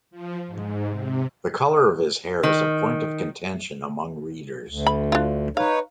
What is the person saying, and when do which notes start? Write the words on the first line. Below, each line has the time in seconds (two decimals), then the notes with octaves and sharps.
The color of his hair is a point of contention among readers.
0.11 F3
0.47 G#2
0.87 C3
2.43 D#3
4.69 D2
4.87 B5
5.12 D4 F4
5.57 D#4 B4 C#5 F5